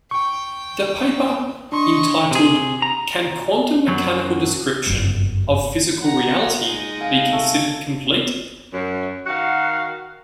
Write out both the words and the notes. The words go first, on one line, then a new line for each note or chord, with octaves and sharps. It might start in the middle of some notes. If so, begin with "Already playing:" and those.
The paper, entitled Can quantum-mechanical description of physical reality be considered complete?
G5 C#6
D4 D#5 C6 C#6
C3 G#4
A#5
F#2 F#3
G1 F#2
F#5 A#5
G#3 D#4
F5 G#5
A3
F#2
D#3 F#4 F5 F#5